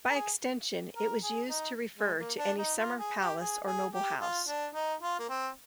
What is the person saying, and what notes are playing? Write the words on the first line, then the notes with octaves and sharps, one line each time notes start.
By extension it was used to refer to any summer palace or noble house.
A#4
G#4
A#4
G#4
D#4
G#3
A#3
D4
D#4
F4
G#4
G4
G#4
G#4
G4
F4
D4
D#4
F4
A#3
C4